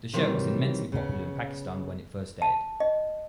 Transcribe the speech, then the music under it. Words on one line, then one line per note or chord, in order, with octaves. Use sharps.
The show was immensely popular in Pakistan when it first aired.
C3 D#3 E3 F#3 G3
C#3 B3
A5
D#5